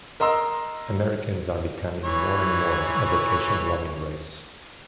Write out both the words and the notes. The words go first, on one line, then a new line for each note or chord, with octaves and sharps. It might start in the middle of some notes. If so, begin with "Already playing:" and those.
Americans are becoming more and more a vacation-loving race.
A#4 D#5 A#5 C6 E6
E3 C#5